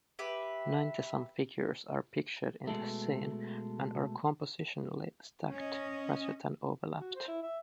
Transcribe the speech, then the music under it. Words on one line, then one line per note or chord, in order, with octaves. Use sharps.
Ninety-some figures are pictured in this scene, and are compositionally stacked rather than overlapped.
G4 B4 E5
B2 G#3 A3
C#4 D#5
F#4
C5
E4
E5